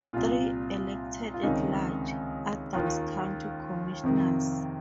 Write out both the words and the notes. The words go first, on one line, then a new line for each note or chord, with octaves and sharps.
Three, elected at large, Adams County Commissioners.
C2 A#2 F4
F4
C#2 C3 D#3 D#4
D#2 D#3 F4
F2 C3 D#3